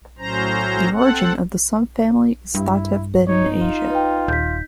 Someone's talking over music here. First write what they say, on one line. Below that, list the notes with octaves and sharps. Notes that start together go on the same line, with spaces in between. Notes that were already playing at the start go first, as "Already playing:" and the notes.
The origin of the subfamily is thought to have been in Asia.
A2 F#3 C#4 C5 A#5
C4 A4 F#5
G2 E4
D#4 C#5
F4
B4 G5
D#1 G6 B6